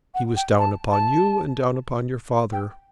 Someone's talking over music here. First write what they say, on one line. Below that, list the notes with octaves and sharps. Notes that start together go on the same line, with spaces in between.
He was down upon you and down upon your father.
F#5
G5
A5
A5
G5